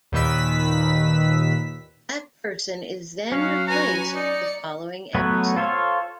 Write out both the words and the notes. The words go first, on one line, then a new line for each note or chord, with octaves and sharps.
That person is then replaced the following episode.
D#2 A#2 D#3 B4 E6 B6
F#3 C#4 F#4 F5
B4 G#5 A#5
D#4 D5 C#7
F#3 A3 B3 B4 C#5
F4 A4 C5 C#5 F5